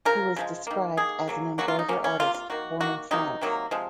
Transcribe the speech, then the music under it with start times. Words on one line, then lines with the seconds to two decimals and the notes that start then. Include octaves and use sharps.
He was described as an "Engraver Artist" born in France.
0.05 C#3 F3 A#4
0.36 C#3 F3 G#3
0.67 D#3 A#3
0.97 D#3 A#3 G#4
1.28 C#3 F#3 A#3
1.58 C#3 F#3 A#3 F#4
1.68 F4
1.79 D#4
1.88 C3 F3 A#3 C#4
2.04 C#4
2.19 C3 F3 A#3 F4
2.34 F4
2.50 D#3 A#3 F#4
2.80 D#3 A#3 F#4
3.11 C3 D#3 F#3 A#3 D#4
3.41 C3 D#3 F#3 A#3
3.71 C3 F3 G#3